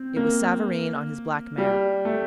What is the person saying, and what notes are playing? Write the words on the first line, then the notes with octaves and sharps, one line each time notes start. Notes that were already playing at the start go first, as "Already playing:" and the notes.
It was Savareen on his black mare.
Already playing: C4
A#3
G3
A3